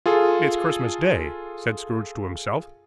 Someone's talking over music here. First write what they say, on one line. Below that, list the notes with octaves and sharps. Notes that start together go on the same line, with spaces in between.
'It's Christmas Day!' said Scrooge to himself.
F4 G#4 A4